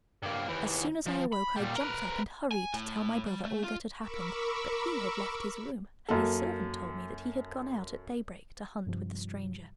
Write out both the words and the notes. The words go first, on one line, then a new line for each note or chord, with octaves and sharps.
As soon as I awoke I jumped up, and hurried to tell my brother all that had happened, but he had left his room, and his servant told me that he had gone out at daybreak to hunt with the stranger.
G2 A#3
D#2 E3
F3
B5
A#2 G3
A#4 B4
G#5
A2
G3
A3
F4
A#4 B5 C#6 D6 E6
F#2 A#3 A4
G2 C3 F3 G3